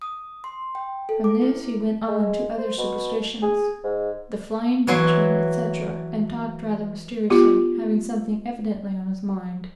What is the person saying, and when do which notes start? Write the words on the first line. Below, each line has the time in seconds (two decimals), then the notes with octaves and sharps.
From this he went on to other superstitions, the Flying Dutchman, etc., and talked rather mysteriously, having something evidently on his mind.
0.02 D#6
0.44 C6
0.75 G5
1.09 A4
1.24 D6
1.42 E4
2.08 G#3
2.58 C5
2.78 B2
3.42 G#4
3.84 G#2
4.87 E3 F#3 C6
7.30 B3 F4 G4